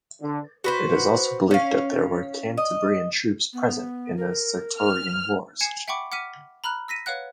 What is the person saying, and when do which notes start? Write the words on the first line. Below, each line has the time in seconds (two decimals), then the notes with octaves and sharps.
It is also believed that there were Cantabrian troops present in the Sertorian Wars.
0.22 D3
0.64 F#4 B4 C5
1.51 C#4 F5
2.58 D#5
3.53 B3
4.17 A#4
4.79 F6
5.61 G#5 G#6 C7 C#7 E7
5.88 E5 F#5 G5 B5 C#6 D6
6.12 F#5 D6 F6 B6 D#7
6.64 A#5 B5 F6 F#6
6.88 E6 A#6 B6 D#7
7.06 B4 C#5 F5 F#5 F#6